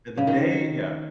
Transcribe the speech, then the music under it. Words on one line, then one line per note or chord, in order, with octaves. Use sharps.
and the day yeah.
C#3
D#3